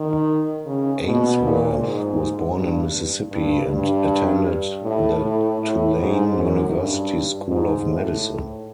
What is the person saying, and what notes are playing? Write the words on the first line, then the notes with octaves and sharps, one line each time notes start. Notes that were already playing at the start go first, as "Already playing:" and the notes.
Ainsworth was born in Mississippi and attended the Tulane University School of Medicine.
Already playing: D#3
C#3
B2
A#2
G#2
G2
G2
G2
A2
A2
A2
G#2
F#2
G2
G#2
A2